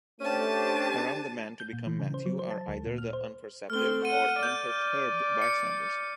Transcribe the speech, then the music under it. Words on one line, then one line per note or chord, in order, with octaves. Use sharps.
Around the man to become Matthew are either the unperceptive or unperturbed bystanders.
A3 C#4 D4 G4 C5 A5 D#7
G6
A#2
E3
C#3
C5
F#3
C5
A5
D2
A#2
F6
C5
A3 C4 F6 G7
F#5 D#7
D5 G6
C#7